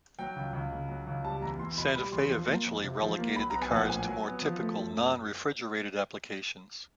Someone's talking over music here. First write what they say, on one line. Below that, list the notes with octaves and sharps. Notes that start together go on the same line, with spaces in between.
Santa Fe eventually relegated the cars to more typical, non-refrigerated applications.
F#3 G5
C#2
C#2
C#3
F#3
C#2
G3 A5
E2 A#5
E2 C6
B2 B5
G3 B5
E2 C6
F3
A#3
F2
C3
F3
A#3
F#3 B5
A#5
B3
G#5
A#1
F#5
A2 G#5
F#3
B3
F3
A3
F#2